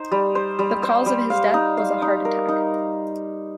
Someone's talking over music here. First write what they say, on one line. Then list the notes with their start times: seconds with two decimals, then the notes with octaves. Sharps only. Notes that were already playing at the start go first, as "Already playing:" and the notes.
The cause of his death was a heart attack.
Already playing: D#4 C5
0.11 G3
0.35 C5
0.59 G3
0.83 C5
1.06 G3
1.30 F5
1.54 D#4
1.77 F5
2.02 D#4
2.25 A#4
2.48 D#4